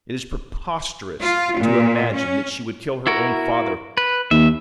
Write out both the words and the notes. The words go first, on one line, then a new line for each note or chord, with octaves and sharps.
It is preposterous to imagine that she would kill her own father.
F4
A#2
C#4
E4 F#4 A#4
B4
D#2 E5